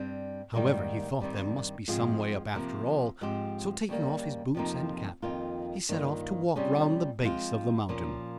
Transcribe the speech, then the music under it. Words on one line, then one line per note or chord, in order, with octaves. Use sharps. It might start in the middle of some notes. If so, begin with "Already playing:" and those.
However, he thought there must be some way up after all; so taking off his boots and cap, he set off to walk round the base of the mountain.
Already playing: G2 G3 C4
G#2 D#3 G3 A#3
G2 D#3 G3 C4
G#2 F3 C4 F4 G#4
C3 F3 A#3
G#2 F3 G#3 C4 G4
D#2 C#3 G3 A#3
F2 C3 F3 A#3 D#4
F2 D#3 A#3 F4
G2 D#3 A#3 F4
C3 G3 C#4 F4 G#4
F3 G#3 C4 F4
A#2 F3 A#3 C#4